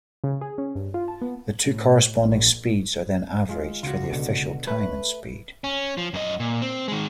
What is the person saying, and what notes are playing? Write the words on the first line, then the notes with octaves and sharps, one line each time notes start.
The two corresponding speeds are then averaged for the official time and speed.
C#3
G#4
C#4
G2
F4
A5
B3
A2
A#1
G#3 F4
C#2 F4 F#4
B2 D3
A3 B4
C#4
F3
F#2 D#5
A#2
C4
D#3 G#3